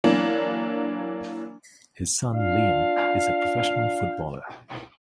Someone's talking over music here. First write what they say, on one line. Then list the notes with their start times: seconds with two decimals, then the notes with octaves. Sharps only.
His son, Liam, is a professional footballer.
0.04 E3 F#3 A#3 D4
2.35 D4 F4 F5